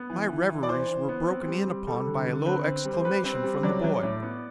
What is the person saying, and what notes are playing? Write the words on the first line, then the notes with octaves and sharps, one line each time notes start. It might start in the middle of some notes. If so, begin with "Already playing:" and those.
My reveries were broken in upon by a low exclamation from the boy.
Already playing: B3
E3
E3
E3
D5
E3 C5
E3
B3
C4
G3
G3
G3 A4
D3
D3
C4 B4
C4
G3
C5
G3 B4
C4
G3
F#3 D5
F#3
A2
B3